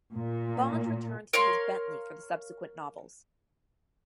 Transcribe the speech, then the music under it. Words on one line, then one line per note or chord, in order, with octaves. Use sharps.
Bond returned to his Bentley for the subsequent novels.
A#2
A#4 C#5 F5 C6